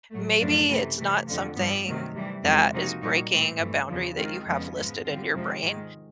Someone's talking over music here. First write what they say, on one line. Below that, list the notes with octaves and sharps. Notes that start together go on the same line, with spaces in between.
maybe it's not something that is breaking a boundary that you have listed in your brain.
A2 F#3 A3
F#2 C#3 F3 A3 D4
C3 E3 A3
C3 E3 A3
F2 D3 F3
G2 E3 G3 B3
C3 D#3 F#3 A3
C3 E3 G3
F2 C#3 E3 G#3 C4
C3 F3 A#3 D#4 F#4
A#2 G3 A#3 D#4 F#4
A2 E3 A3 C4
G2 E3 A3
E2 C#3 F3
D#3 G#3 C4 F4
F2 C#3 F3 G#3 B3
G#2 F3 G#3 B3
D3 G3 C4 F4
F2 C3 F3 G#3 C4
G#2 D#3 G#3